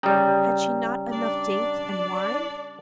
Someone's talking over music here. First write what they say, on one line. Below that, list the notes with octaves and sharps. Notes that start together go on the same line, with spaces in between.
Had she not enough dates and wine?'
C#3 G3 G5 A#5 D#6
D4 D5